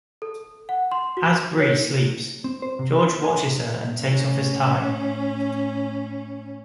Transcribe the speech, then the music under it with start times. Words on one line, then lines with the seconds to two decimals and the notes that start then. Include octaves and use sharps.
As Bree sleeps, George watches her and takes off his tie.
0.22 A4
0.69 F#5
0.92 C6
1.17 F#4
1.60 C#5
2.44 C4
2.62 C5
2.79 C3
2.99 C6
3.25 G#5
4.00 A2 C#4